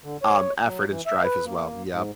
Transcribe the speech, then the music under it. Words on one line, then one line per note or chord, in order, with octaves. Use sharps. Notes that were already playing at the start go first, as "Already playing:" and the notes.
um, effort and strife as well. Yep.
D3
C#5
F#3
E3
E5
B4
A#3
G#2